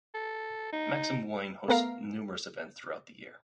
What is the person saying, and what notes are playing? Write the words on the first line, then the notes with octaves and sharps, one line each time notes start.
Maxim Wien hosts numerous events throughout the year.
A4
D#4
A3 B3 A#4 F5